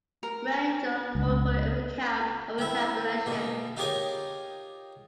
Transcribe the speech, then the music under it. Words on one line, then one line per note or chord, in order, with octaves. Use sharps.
Rangel called for a recount of the tabulation.
A#4
C#2
C4 E4
B2 A#3
D#4 F4 G4 G#4 A#4 C#5